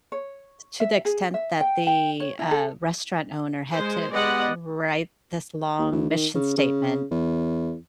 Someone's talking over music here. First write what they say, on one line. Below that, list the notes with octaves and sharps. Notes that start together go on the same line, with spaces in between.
t to the extent that the, uh, restaurant owner had to wr write this long mission statement.
C#5
E5
G#4
E5
G5
G5
C#5
E4
A4
G#3 C5
G#3 B3 G4 D5 D#5 F#5
D#2
D2
D#3
C#3
C#3
E2